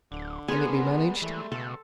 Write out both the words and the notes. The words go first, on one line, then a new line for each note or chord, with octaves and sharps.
"Can it be managed?"
D1 D3
G3 G#3 B3 G#4 A#4
E3 A3
C#2 B2 A4